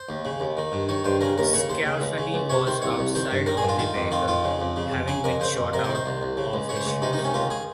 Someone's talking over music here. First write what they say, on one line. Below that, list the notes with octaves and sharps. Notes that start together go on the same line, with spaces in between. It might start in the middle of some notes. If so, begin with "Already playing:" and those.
Sclafani was outside of the vehicle, having been shot out of his shoes.
Already playing: C5
D#2
C#3
D#2
D#3
G2
D#3 C#5
G2 C5
C#3 A#4
D#2 A#4
C#3 C#5
D#2 C5
C#3
C#2
C#3
C#2
C3 C#5
D#3 C5
C2 C#5
C2
D#3 C5
G2
D#3 A#4
G#4
G2
F4
D#3 F4
F2
D#3 F4
F2 F4
C#3
F2
C#3
F2
C#3 G#4
F2 A#4
C#3 C5
F2
C3 A#4
C5
D#3
C5
C2
C2
C#3
C#2
C#3 C#5
C5
C#5
C#2
C3 D#4
D#4
D#3
C#4
C#2 F4
G#4